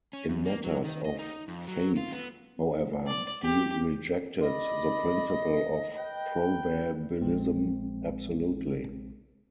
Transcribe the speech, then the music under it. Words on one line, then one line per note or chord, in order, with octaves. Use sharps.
In matters of faith, however, he rejected the principle of probabilism absolutely.
C#4
F#2
A#3
F#3
D#3
D#5
D#4
F2
F#3
F4
B3
D5
G4
D5 D#5 B5
B4 G5
A#1 G#3 C4